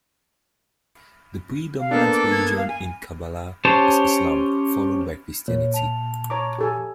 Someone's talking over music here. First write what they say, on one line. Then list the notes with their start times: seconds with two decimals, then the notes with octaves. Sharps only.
The predominant religion in Kabala is Islam, followed by Christianity.
1.80 F5
1.91 A#3 B3 D4 A4
2.12 D6
2.31 G#6
2.57 F5
2.69 G#5
3.65 C#4 G4 C5 C#5 A5
5.48 A#2 C#5
5.74 A5 F7
6.30 C#5 A#5 D6
6.59 G4 A4 G#5